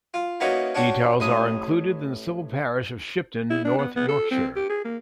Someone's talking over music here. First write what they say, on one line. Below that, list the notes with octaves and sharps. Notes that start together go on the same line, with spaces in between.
Details are included in the civil parish of Shipton, North Yorkshire.
F4
A#3 B3 C#4 D#4 E4 F#4
C#4 D4 F#4 G4
A1 A2 D#6
E4
D4
B3
B3
A4
C4
G4
G#4
A#3